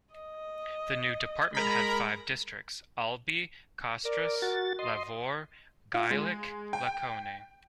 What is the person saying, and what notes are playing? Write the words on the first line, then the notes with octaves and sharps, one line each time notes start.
The new department had five districts: Albi, Castres, Lavaur, Gaillac, Lacaune.
D#5
G#3 A#4 A#5 B5
A#4 D5
F#4 A6
D#5 C6
F4
G#3
G5